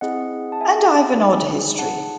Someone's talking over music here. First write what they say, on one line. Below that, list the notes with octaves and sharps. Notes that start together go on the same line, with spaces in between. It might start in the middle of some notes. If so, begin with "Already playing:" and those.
And I’ve an odd history.
C4 E4 G#4 D#5 F#5
A5
E5 G#5
D#4 G#4
F#5 A5